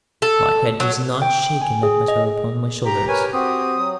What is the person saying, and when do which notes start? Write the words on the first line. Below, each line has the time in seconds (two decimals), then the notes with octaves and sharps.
My head does not shake in that manner upon my shoulders.
0.22 A4
0.80 F#3
1.22 G5
1.61 G#5
1.83 G#4
2.08 D#5
2.85 G4 A#5
3.08 A#4 B4 C#5 G#5
3.33 C4 F#4 G4 D#6
3.75 F#3